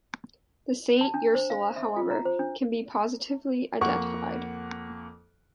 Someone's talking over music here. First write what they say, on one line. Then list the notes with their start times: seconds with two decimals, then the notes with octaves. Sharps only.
The "Saint Ursula", however, can be positively identified.
1.01 A5
1.14 D4
1.35 C5
1.50 F5
1.76 E5
1.96 F4
2.11 A#5
2.25 C5
2.39 D4
3.81 F2 A#3 F#5 C#6